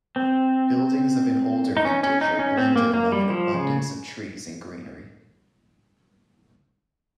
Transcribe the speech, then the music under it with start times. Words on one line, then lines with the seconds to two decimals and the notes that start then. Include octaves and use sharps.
Buildings of an older vintage are blended among an abundance of trees and greenery.
0.16 C4
1.77 D#4
1.85 C#4
2.03 C#4
2.21 D#4
2.39 C#4
2.57 C4
2.76 A#3
2.94 A#3
3.12 G3
3.30 F3
3.54 C#3